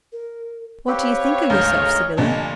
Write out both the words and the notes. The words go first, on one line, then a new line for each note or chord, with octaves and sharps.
"What do you think of yourself, Sybylla?"
A#4
C4 G4 B4 C#5 F5
D2 G#2 A#4 D#5 A#5 G6
F1 A#2 D3 D#5 A5